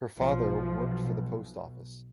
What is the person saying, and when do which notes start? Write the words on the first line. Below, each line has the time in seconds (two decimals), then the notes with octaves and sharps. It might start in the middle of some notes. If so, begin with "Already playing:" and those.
Her father worked for the post office.
0.17 B1 B2 F3